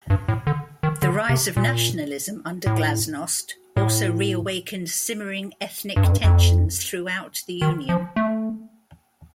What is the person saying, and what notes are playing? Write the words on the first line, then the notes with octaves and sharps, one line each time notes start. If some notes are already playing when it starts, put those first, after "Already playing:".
The rise of nationalism under glasnost also reawakened simmering ethnic tensions throughout the union.
G2
A2
D3
D#3
D3
C3
A#2
A2
A2
G2
F2
G2
F2
D#3
F3
A3